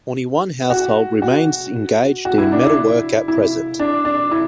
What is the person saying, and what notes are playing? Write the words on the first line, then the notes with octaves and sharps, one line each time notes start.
Only one household remains engaged in metalwork at present.
F#4
F#4
F#4
E4
D4
E4
E4
D4
D4
E4